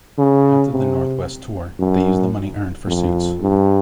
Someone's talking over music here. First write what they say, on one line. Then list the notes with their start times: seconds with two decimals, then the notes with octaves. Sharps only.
After the Northwest tour, they used the money earned for suits.
0.18 C#3
0.72 C3
1.79 F#2
2.87 F2
3.41 G2